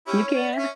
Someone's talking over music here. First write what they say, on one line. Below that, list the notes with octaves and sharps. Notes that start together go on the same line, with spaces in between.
You can?
C#4 E4 G4
C#5
C#4
D5
C#4 E5